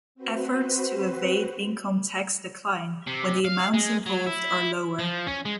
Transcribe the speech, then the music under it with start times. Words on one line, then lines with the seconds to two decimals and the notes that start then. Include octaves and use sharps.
Efforts to evade income tax decline when the amounts involved are lower.
0.15 C4 F#4 B4 C5
3.07 C3
3.45 F5
3.74 G#3
4.06 F#3
4.27 E4
4.99 F3
5.27 C#4
5.45 G#3